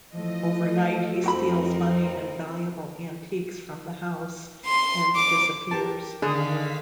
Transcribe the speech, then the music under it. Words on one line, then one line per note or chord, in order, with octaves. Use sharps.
Overnight he steals money and valuable antiques from the house and disappears.
E3 F3 A3 D#5
F2 C4 D#4 F#4 A#4 G5 B5
C6
D6
G4 A#4 A5
D3 D#3 G#4 F5 D#6 B6